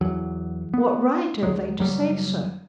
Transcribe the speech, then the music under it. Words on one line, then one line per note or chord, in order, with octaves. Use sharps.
What right have they to say so?
E2 F#3
B3
D2 F#3 G#3
F#1 F#3 G3